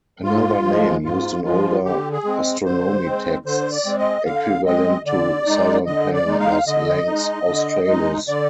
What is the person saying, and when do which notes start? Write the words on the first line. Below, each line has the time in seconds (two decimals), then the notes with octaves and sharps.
Another name used in older astronomy texts, equivalent to "southern pan", was "Lanx Australis".
0.24 G#2 F4
0.64 F3 G#3
1.04 G#2 F4
1.44 F3 G#3 F4
1.85 D3 G4
2.12 G#4
2.25 G#3 C4
2.65 D3 C5
3.06 G#3 C4
3.45 D3 C5
3.72 D5
3.85 G#3 C4
3.99 D#5
4.25 D3 F5
4.66 G#3 C4 D#5
5.06 D3 D5
5.46 G#3 D#4
5.86 D3 D#5
6.13 D5
6.26 G#3 D#4
6.40 F5
6.67 D3 D#5
7.07 G#3 D#4
7.48 D3
7.87 G#3 D#4
8.28 D3 D5